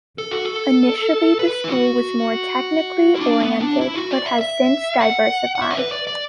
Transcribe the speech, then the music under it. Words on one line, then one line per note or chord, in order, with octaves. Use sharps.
Initially the school was more technically oriented but has since diversified.
A4
F#4
A4
B4
E4
F#4
E4
D4
B3
D4
E4
F#4
D5
E5
E5
F#5
F#5
E5
D5
B4
D5
D5